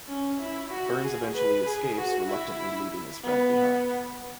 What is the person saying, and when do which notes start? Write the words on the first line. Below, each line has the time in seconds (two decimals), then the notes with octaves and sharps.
Burns eventually escapes reluctantly leaving his friend behind.
0.08 C#4
0.39 E4
0.71 F#4
1.03 G#4
1.34 B4
1.66 G#4
1.98 F#4
2.29 E4
3.23 B3